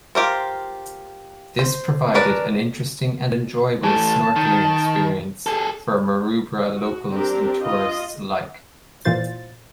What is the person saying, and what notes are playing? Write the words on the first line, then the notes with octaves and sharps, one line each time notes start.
This provided an interesting and enjoyable snorkeling experience for Maroubra locals and tourists alike.
F4 G4 A#4 C5
C5
C#4 D4 A#4 B4 D5
E3 A3 A5
D#3
G#4 A4
F#4
C4 D4 G4 A#4
F4 D#5
A#2 E3 F4 C5 A6